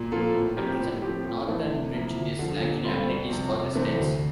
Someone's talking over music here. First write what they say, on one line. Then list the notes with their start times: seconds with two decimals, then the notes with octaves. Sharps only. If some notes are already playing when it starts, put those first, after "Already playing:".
At present, Norton Bridge is lacking amenities for residents.
Already playing: A#2
0.12 F3 A#3 F4 A4
0.35 A2
0.57 F3 C4 G4 A#4
0.79 A2
1.02 F3 C4 G4
1.25 A2
1.48 E3 A3 E4
1.70 C3
1.94 F3 A#3 E4
2.16 D2
2.39 D3 F3
2.61 A#2
2.84 G3 C4 F4 A4
3.06 C2
3.30 C3 F3 C4
3.52 C3
3.75 E3 A3 C4
3.97 D2